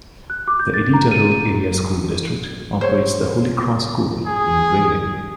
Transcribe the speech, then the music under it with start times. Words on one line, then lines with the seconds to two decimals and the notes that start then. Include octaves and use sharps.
The Iditarod Area School District operates the Holy Cross School in Grayling.
0.30 F#6
0.48 D6
0.59 G6
0.74 A6
0.94 A#5
1.11 D#7
1.32 D#7
2.81 C5 C#5
4.26 G#4